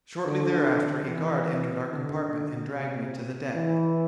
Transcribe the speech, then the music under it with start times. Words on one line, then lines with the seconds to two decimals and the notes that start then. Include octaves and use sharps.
Shortly thereafter a guard entered our compartment and dragged me to the deck.
0.26 D3
1.08 E3
1.90 D3
2.72 C3
3.54 E3